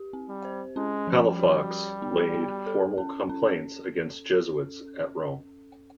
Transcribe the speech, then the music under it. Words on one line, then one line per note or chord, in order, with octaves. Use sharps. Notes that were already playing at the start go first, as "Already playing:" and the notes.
Palafox laid formal complaints against Jesuits at Rome.
Already playing: G4
C4
G3
C5
G#3 C#4
F3
G3
F#4
G4
B3
B3
A4
C#4
C#4